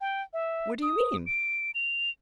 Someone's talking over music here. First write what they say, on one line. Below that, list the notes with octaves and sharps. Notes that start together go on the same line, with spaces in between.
"What do you mean?"
G5
E5
D#6
D7
F7